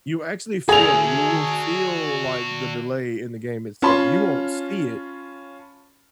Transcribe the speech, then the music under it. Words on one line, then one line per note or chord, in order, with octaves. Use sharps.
you actually feel it, you will feel, like, the delay in the game itself you won't see it,
F#4 G#4 D5 F7
C#4 F4 A5 B5 C6